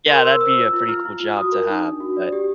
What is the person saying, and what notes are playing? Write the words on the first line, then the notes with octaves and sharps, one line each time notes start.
Yeah, that'd be a pretty cool job to have, but
A#4 C6
A#4 E6
C5 E6
F4
F4
F4 F6
F4
F4
F#4 D#6
A#4
D#4
D4
F#4
D5
G4